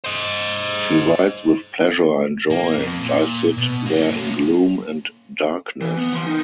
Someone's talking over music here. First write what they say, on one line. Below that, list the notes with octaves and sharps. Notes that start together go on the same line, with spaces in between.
She writes with pleasure and joy, and I sit there in gloom and darkness.
C5 D#5
A#3
F2
A#2
B2
A#3 C#4
E3
B3
E3 C6
D#4 A#4